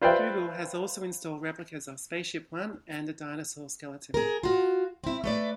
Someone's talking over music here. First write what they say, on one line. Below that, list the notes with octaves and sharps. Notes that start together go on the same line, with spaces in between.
Google has also installed replicas of SpaceShipOne and a dinosaur skeleton.
F4 B4 C5 D5 E5 G5
G#4 A#4
F4 F#4
C4 E4
A3 B4 D5